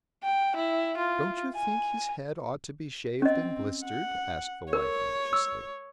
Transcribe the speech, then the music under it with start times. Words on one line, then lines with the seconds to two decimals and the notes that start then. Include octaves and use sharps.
"Don't you think his head ought to be shaved and blistered?" asked the wife, anxiously.
0.23 G5
0.56 E4
0.98 F4
1.55 G#5
3.22 C4 C#4 D#5
3.85 F#5
4.73 A#4 C#5
5.33 E6